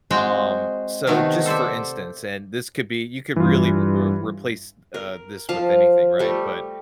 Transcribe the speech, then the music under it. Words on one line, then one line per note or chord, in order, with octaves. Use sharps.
Um, so, just, for instance, and this could be you could really w uh, replace, uh, this with anything, right, but
G#3 C4 F#4 G5
C3 D#3 A3 B3 D#4
A4 C5 D5 E5
G2 E3 F4
A#4
F3 F5 A5
G3 A3